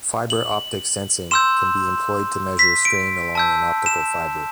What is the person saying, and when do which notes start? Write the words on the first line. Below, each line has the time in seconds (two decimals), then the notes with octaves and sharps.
Fiber optic sensing can be employed to measure strain along an optical fiber.
0.30 F#7
1.31 C6 E6 G6 E7
2.59 B6
2.85 D7
3.35 A5 E6 G6
3.86 E7